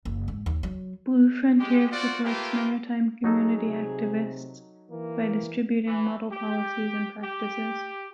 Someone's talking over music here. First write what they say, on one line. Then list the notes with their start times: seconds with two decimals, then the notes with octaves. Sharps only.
Blue Frontier supports maritime community activists by distributing model policies and practices.
0.05 F#1
0.28 G#2
0.46 D#2
0.63 F#3
1.59 G#3 G4
1.91 F4 F#4 C5 D5 F#5
2.24 A3 A#3 F4 G4 B4
3.24 F#3 D#4 G#4 A4
3.66 C3
4.91 E3 A#3
5.87 E3
6.32 G4
7.23 G4